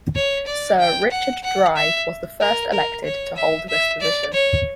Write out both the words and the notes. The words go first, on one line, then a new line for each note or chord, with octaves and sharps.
Sir Richard Dry was the first elected to hold this position.
C#5
D5
G5
F#5
F#5
E5
A#4
A#4
C#5
E5
E5
D5
C#5